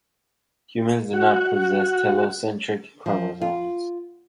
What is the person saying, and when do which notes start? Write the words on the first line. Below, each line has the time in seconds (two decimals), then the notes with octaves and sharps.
Humans do not possess telocentric chromosomes.
1.13 F#4 F#5
3.06 F3
3.41 F4